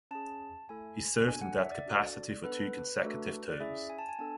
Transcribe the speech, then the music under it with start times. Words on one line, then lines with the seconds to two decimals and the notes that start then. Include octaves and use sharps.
He served in that capacity for two consecutive terms.
0.11 C#4 G#4 A5
0.69 A3 E4 A4 G#5
1.27 D4 F#4 A4 G#5
1.42 F#5
1.57 E5
1.72 D5
1.86 D4 F#4 A4
2.44 B3 D4 A4 B4
3.03 A3 D4 F#4 A4
3.49 D5
3.60 C#4 E4 G#4 E5
3.90 G#5
3.98 A5
4.09 G#5
4.19 B3 D4 A4 A5